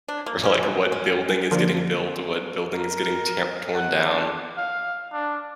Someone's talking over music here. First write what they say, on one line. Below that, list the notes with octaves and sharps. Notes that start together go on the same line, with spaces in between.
or, like, what building is getting built, or what building is getting tam torn down.
D4
A#3
C#4
B2
C#4
D3 F3 A#3
A#4
F#5
D4
F5
D4